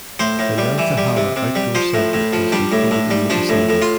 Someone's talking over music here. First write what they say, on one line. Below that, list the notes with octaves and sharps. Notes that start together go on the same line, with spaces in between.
The Nantahala Outdoor Center is located in the vicinity.
A2 C5
A2
G3
E3
G3
C3
C3
G3
F3 C5
A2
A2
F3
G3 D4
A2
A2
G3
F3 D4
A2
A2
F4